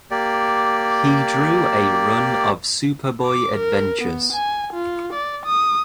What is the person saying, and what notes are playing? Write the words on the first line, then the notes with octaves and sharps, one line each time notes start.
He drew a run of Superboy adventures.
A#3 G4 D5
D6
A#4
B3
G#5
F4
D5
D#6